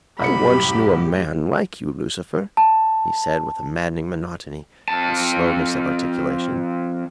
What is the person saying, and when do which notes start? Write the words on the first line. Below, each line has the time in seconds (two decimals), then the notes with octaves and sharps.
"I once knew a man like you, Lucifer," he said, with a maddening monotony and slowness of articulation.
0.20 C2 F#2 A2 G4 B5 C#7
2.57 A5
4.88 F2 A5